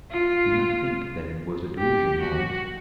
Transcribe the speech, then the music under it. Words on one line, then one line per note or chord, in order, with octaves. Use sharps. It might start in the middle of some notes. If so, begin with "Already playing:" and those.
Do not think that it was a delusion, Holmes.
F4
G4
F#4